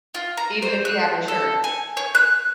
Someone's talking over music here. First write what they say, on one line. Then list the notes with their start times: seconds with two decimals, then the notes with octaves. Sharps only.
Even if you have insurance?
0.15 F4
0.37 A#5
0.62 C5
0.85 F#6
1.28 A4
1.64 G#5
1.97 C#5
2.15 F#6